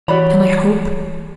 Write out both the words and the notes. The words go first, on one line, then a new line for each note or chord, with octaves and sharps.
Can I hope?
E3 F#4 G4 C#5 D5 B5